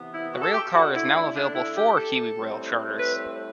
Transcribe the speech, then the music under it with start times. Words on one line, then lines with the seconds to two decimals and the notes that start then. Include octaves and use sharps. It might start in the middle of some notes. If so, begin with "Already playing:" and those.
The railcar is now available for KiwiRail charters.
Already playing: C3 E3 B3
0.12 E4
0.33 F#4
0.42 A4
0.52 G4
0.73 D3 A3 D4 F#4
0.94 E4
1.15 E4
1.34 D4
1.54 E4
1.76 G4
1.96 A4
2.37 A2 G3 C4
2.99 B4